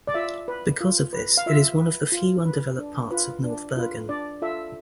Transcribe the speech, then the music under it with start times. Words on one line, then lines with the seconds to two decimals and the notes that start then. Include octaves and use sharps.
Because of this, it is one of the few undeveloped parts of North Bergen.
0.07 D5
0.14 F4 E5
0.48 B4
0.81 F4
1.13 B4
1.37 F5
1.46 F4 E5
1.79 B4
2.12 F4
2.45 B4
2.78 D4
3.11 F4 B4
3.44 D4
3.77 F4 B4
4.09 D4 D5
4.42 F4 A4 E5